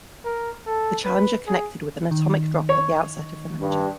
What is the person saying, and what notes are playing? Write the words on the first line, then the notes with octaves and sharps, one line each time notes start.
The challenger connected with an atomic drop at the outset of the matchup.
A#4
A4
B4
G#4
D#3
C#5
G2